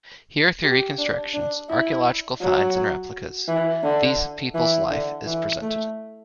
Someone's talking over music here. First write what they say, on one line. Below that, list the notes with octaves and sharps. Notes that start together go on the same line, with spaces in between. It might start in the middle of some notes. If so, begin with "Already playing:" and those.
Here, through reconstructions, archaeological finds and replicas, these people's life is presented.
G4
D4
D4
E4
F#3
E3
D3
E3
D3
E3
A3